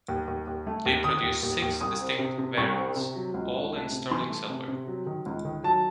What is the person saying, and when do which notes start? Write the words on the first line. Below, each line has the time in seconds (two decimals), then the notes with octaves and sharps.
They produced six distinct variants, all in sterling silver.
0.08 D#2
0.28 D#2
0.47 D#2
0.67 A3
0.86 D#2
1.04 D#3 D#6
1.23 D#2
1.43 D#2
1.62 D#2
1.81 C2 D#6
2.01 C4
2.19 C3
2.38 C3
2.57 C2 C#6
2.77 C4
2.96 C3
3.16 F#3
3.34 C#2
3.53 C#2
3.73 A3
3.92 C3
4.11 E3 C6
4.30 A3
4.49 C3
4.68 C3
4.87 F#3
5.06 D#3
5.26 C#2
5.45 D#3
5.64 F#3 A5